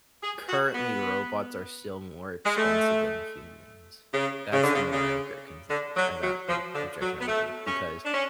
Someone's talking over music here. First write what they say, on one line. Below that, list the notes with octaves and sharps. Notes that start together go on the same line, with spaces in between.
currently, robots are still more expensive than humans. That's the more accurate cons I’ve got an objection I would make because
G#4
F#4
B3
G#3
A3
C#3
C#3
D3
C#3
C#3
D3
F#3
F#3
F3
D3
F#3
B3
A3
C#4
D4
C#4